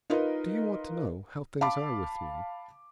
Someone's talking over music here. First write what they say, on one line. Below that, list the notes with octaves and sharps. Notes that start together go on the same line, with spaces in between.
"Do you want to know--how things are with me?"
D#4 F4 A#4 B4 D#5
F5 A5 B5 D6